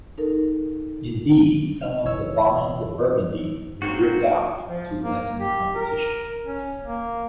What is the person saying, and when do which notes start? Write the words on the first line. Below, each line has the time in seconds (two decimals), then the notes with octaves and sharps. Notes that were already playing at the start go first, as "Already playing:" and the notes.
Indeed, some of the vines of Burgundy were ripped out to lessen competition.
0.18 D#4 A4 A#4
2.05 G#1 C#2 F#2 E3 C#5 E6
3.82 F#3 A#3 C4 F#4
4.67 F3
5.03 A#3
5.40 G4
5.75 A#4
6.45 C#4
6.84 A#3